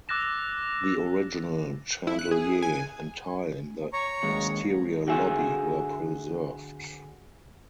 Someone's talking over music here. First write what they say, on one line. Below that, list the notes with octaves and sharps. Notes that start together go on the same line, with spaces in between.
The original chandelier and tile in the exterior lobby were preserved.
D6 E6 F#6 A6 A#6 E7
E4
F#6
G#4
G#5
C#5 A#5 C#6
D#2 G#3
D3 F#4 G#4 E5